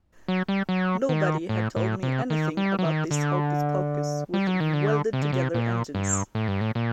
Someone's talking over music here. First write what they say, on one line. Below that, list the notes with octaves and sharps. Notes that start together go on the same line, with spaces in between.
Nobody had told me anything about this hocus-pocus with welded-together engines.
F#3
G3
F#3
D#3
A2
A2
C3
D#3
G3
F#3
D#3
D3
G3
F#3
D#3
D3
C3
D3
C3
A#2
G2
A2
G2
A2
A#2